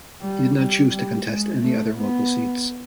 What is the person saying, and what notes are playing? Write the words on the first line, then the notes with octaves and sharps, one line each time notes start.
He did not choose to contest any other local seats.
G3
G3
G3
G#3
A3
B3